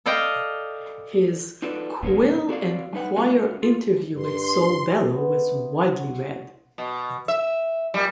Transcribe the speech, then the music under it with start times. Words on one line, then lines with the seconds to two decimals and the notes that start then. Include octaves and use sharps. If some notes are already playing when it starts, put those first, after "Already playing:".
His "Quill and Quire" interview with Saul Bellow was widely read.
0.06 A4 D5 D#5 F5 G5
1.62 D#4 F4 F#4 A4 B4 D5
2.03 A#2 D3 B3 C#4 A#4
2.49 C4 F#4 D5 F5
2.93 G3 D#4 B4 F#5
3.16 G#3 A3 C#4 F4 F#4 A#4
3.62 F4
4.16 G2 C6
5.10 B3 D4 C5 E5
5.72 E4 F#4
6.78 B2
7.28 E5
7.94 A#2 G3